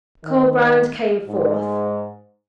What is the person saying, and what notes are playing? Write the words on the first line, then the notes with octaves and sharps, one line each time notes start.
Colbrand came forth.
D#3
G#2